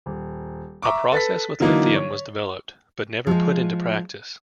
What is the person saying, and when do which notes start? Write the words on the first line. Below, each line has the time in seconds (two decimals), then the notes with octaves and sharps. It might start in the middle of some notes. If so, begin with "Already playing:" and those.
A process with lithium was developed, but never put into practice.
0.06 D#1
0.82 E5 A#5 C#6 D6
1.12 A4 B4 A6 B6
1.60 D3 E3 F#3 A#3 D#4
1.96 C#5
3.27 F3 G#3